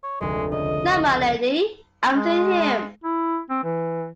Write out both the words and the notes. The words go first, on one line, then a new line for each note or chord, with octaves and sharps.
No, my Lady, I've seen him!
C#5
F1 D2 G#3
C#2 D#5
G#3
E4
C4
E3